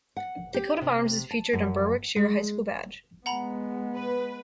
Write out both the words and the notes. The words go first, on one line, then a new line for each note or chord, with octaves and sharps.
The coat of arms is featured on Berwickshire High School badge.
F#5
G4
C3
A5
F#2
G#3
G#3 B3 F#5 A#5 B5
B4